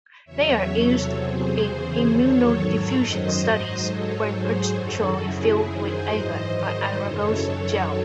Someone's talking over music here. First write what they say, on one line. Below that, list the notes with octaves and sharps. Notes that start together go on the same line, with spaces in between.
They are used in immunodiffusion studies when partially filled with agar or agarose gel.
E2 C#3 F#3 C#5 E5
E2 C3 F#3 A4 C#5
E2 C3 F#3 G#4 C5
E2 C#3 E3
E2 D#3 F#3 A4 C#5
G#2 D#3 F#3
F#2 D#3 F#3 C5 D#5
G#2 F#3 C5 D#5
G#2 F#3 A4 C#5
G#2 F#3 G#4 C5
F#2 D#3 F#3 F#4 A4
F#2 C#3 F#3 E4 G#4
F#2 D#3 F#3 G#4 C5
G#2 E3 C5 D#5
G#2 D#3 F#3 C5 D#5
F#2 C#3 E3 A4 C#5
F#2 D#3 F#3